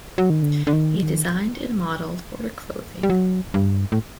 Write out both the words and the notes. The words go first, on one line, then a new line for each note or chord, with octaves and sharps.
He designed and modeled for the clothing.
F#3
D#3
D3
D3
D#3
F#3
D#3
G3
F#3
G2
A2